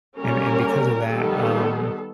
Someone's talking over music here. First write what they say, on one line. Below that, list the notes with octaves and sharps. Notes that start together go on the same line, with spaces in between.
and and because of that, um,
D3 G3 A#3 C#4 A#4
D#3 G3 B3 A4